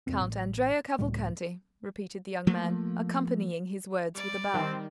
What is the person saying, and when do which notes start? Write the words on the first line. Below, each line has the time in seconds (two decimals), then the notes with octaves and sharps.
"Count Andrea Cavalcanti," repeated the young man, accompanying his words with a bow.
0.07 F1 F2 C4
0.21 A1
0.99 C#2 A2 G3
2.47 F3 A3 A#3
4.15 G3 D5
4.54 D#3 C4